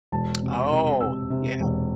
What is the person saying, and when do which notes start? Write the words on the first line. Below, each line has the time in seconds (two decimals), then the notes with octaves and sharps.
Oh, yeah.
0.12 E1 A5
0.42 C3
0.72 C3
1.00 C3 E6
1.30 C3
1.60 E1